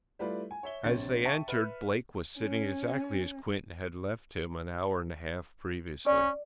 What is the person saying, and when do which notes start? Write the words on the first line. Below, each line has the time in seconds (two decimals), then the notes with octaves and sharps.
As they entered Blake was sitting exactly as Quinton had left him an hour and a half previously.
0.19 G3 A3 E4 F4 B4 D5
0.51 G#5
0.63 C#5 E5 G7
0.84 A#1 C3 C4 C#5 A6
1.25 E5 G5 A5 C#6 C#7 D#7
1.48 B4 E5 F6
2.38 C#4
6.06 C#4 D5